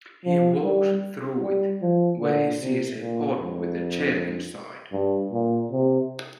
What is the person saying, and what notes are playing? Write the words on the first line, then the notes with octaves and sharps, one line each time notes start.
He walks through it, where he sees a pod with a chair inside.
F3
G3
G3
F3
D3
C3
A#2
F2
G2
A#2
C3